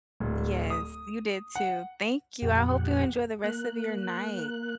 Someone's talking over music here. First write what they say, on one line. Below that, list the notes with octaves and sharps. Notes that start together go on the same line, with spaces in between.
Yes, you did too. Thank you, I hope you enjoy the rest of your night.
D1
D#6
F#5
F2 A#2 G4 F#5
A#3 F#6